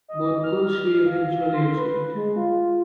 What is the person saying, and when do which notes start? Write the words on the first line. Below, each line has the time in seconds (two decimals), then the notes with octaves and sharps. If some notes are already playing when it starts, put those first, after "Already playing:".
Both goals she eventually achieved.
0.08 D#5
0.44 F6
1.06 F5
1.54 C6
1.77 B4
2.15 G#3
2.36 F4